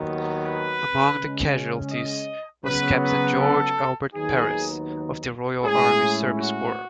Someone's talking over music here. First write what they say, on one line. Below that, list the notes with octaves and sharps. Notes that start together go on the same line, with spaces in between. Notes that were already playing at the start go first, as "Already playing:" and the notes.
Among the casualties was Captain George Albert Perris of the Royal Army Service Corps.
Already playing: D#2 D#3 F#3 B3
B4
C#3 G#3 C#4
D#5
C#3 F#3 B3 B4
B4
A4
D#2 D#3 F#3 B3 D#4 G#4
A2 G#3 C#4 E4 G#4
F#4